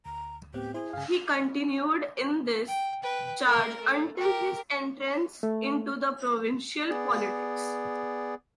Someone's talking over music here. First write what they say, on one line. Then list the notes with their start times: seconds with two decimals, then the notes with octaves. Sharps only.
He continued in this charge until his entrance into the provincial politics.
0.06 D2 A#5
0.54 A2 B3 C4 G4
0.74 E4 G#4 C5
0.93 G2 C#3 F5 G#5
2.67 G5
3.03 B4 G5
3.45 A#3 A#4
3.81 A3
4.17 G4 A#4
5.43 A3
6.89 B3 G#4 D5